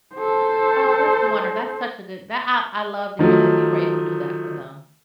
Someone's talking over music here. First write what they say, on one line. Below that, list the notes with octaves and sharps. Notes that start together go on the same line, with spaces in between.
Oh, that's wonder that's such a good that I I love to hear that you were able to do that for them.
A4 C5
D#3 F3 F#3 A3